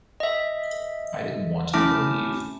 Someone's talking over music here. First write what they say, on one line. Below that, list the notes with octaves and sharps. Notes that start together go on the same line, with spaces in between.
I didn’t want him to leave.
D#5 E5
A3 C#4 E4 A5 D6 F6